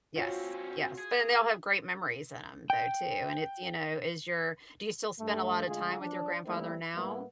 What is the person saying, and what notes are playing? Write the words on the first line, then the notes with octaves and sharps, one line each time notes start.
Yes. Yes. But then they all have great memories in 'em, though, too. And it's, you know is your do you still spend a lot of time with your grandfather now?
C4 C#4 F4 F#4 C#5
G#4
G5
G2 A3
D3 G#3 A3 F4 G#4
F3 D4
G3 A3 A#3 C4 E4
A2 G3 A#3 B3 E4